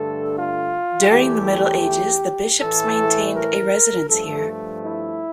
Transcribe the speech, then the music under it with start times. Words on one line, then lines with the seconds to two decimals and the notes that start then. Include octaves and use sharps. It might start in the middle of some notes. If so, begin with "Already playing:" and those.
During the Middle Ages the bishops maintained a residence here.
Already playing: G2 D3 A3 A4
0.36 F4
1.11 E2 E3 A3 G4
2.61 A2 E3 A3 A4
3.35 A#4
4.09 G2 F3 A3 A4
4.83 E4